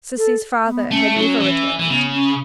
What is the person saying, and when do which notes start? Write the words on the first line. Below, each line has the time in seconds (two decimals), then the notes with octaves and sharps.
Sissy's father had never returned.
0.18 A4
0.67 B3
0.91 A3 C#4
1.16 F#3 C#4 E4
1.40 E3
1.79 E3
1.89 C#3 B3
2.14 C#4